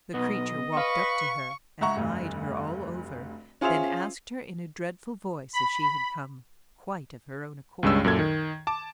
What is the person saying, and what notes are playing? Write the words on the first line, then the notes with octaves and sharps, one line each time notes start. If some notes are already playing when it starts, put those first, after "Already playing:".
The creature walked up to her, and eyed her all over--then asked her in a dreadful voice if she had come quite of her own accord.
B1 B3 D#5
B4 F5 C#6
C#2 E5 F#5 A#5 C#6
F1 D2 G2
C#4 F4 G#4 C5 E5 F7
B5
C#2 G2 G#3 C#4 E6
F#2 A#2 A4 G#6
D#3
A5 D6